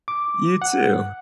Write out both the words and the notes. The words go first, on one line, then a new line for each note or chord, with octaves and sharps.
You, too.
D6
F#5